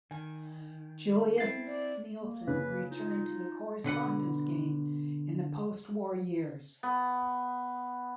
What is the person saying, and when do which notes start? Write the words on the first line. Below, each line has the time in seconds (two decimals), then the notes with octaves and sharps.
Julius Nielsen returned to the correspondence game in the postwar years.
0.11 D#3 G#5
1.38 C4 E4 A6 C7
1.66 D5
2.20 A#3
2.47 C#3 B4
2.91 D#4 F4
3.84 B2 D3 B4 F#5
6.83 B3